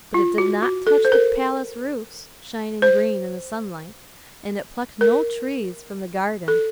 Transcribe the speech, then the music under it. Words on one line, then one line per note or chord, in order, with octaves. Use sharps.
But it did not touch the palace roofs, shining green in the sunlight, and it plucked no trees from the garden.
F4
F#4
F#4
A4
C5
A#4
C5
A#4
A4